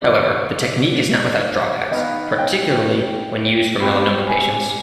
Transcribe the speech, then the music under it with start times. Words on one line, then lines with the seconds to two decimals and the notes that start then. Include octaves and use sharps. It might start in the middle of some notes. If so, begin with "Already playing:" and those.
However, the technique is not without drawbacks, particularly when used for melanoma patients.
0.02 D#2 D3 F3 B3 D4 D5
1.91 D#3 B3 D#4 B4 D#5 F5
2.38 G5
3.80 B2 G3 C4 G4 B5
4.28 G#5